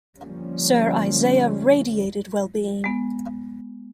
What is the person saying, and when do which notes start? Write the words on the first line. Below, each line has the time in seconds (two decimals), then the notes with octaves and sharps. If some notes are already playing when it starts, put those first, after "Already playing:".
Sir Isaiah radiated well-being.
0.19 D3 F3 G3 A#3 C#4
2.84 G#3 B3